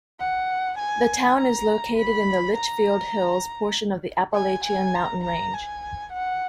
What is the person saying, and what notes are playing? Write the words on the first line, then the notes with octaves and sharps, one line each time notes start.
The town is located in the Litchfield Hills portion of the Appalachian mountain range.
F#5
G#5
A#5
B5
A#5
G#5
G#5
A#5
A#5
G#5
F#5